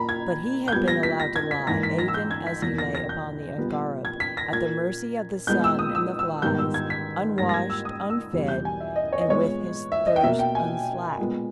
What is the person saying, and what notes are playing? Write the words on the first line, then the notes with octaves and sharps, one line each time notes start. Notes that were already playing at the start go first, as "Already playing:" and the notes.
But he had been allowed to lie, even as he lay upon the angareb, at the mercy of the sun and the flies, unwashed, unfed, and with his thirst unslaked.
Already playing: A#2 A#3 A#5 B5
G#6
G6
A#2 G3 B3 G#6
A#6
B6
A#6
G#6
B6
G#2 E3 A#3 A#6
B6
A#6
E6
G6
G#6
B6
E2 B2 A#3 A#6
A#6
A#6
G6
A#2 G3 B3
G#6
B6
A#6
A#2 A#3 G#6
A#2 G#3 B3 G6
E6
D#6
E6
E6
G#2 D#3 G3 B3 G6
E6
G#6
B6
G#2 G3 A#3 A#6
A#6
G#6
E6
D#6
E6
E2 B2 G3
G6
G#5
E5
D#5
C#5
D#5
A#2 G#3 B3 C#5
E5
D#5
G5
B2 A#3 E5
G5
G#5
A#2 G#3 B3